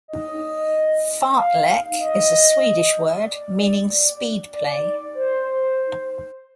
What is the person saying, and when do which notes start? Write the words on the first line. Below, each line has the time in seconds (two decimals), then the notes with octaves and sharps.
Fartlek is a Swedish word, meaning speed play.
0.08 D#5
1.35 F5
1.99 D#5
3.24 D5
4.51 D5
5.15 C5